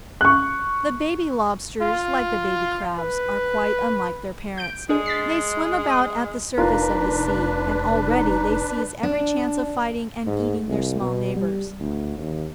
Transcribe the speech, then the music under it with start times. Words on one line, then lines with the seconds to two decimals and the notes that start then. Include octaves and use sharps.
The baby Lobsters, like the baby Crabs, are quite unlike their parents. They swim about at the surface of the sea, and already they seize every chance of fighting and eating their small neighbours.
0.21 C#6 F#6
1.82 F4
2.99 B4
4.58 G6 D7
4.89 G#3 D4 G#4
5.06 A6 B6 C7
5.89 D#6
6.58 F1 D4 D#4 F4 A#4 B4 C6
8.06 D#4
9.03 D4
10.26 G#2
10.68 C2
11.00 B2
11.36 G3
11.80 D2
12.18 D#2